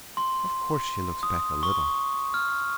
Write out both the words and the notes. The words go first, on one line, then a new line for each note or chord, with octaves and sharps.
"Of course she looks back a little."
C6
D#6
C#6
F6